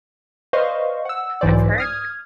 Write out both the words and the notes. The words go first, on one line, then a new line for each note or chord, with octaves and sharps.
I've heard
B4 C5 D5 D#5 F5 C#6
F#5 E6
B1 G#2 E3 C5 D5
D#6 F6 G#6